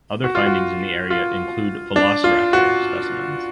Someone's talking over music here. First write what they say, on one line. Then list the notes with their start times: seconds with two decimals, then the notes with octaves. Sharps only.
Other findings in the area include “Velociraptor” specimens.
0.24 F#4
0.35 F4
0.46 F#4
1.10 F4
1.96 D4
2.24 F4
2.53 F#4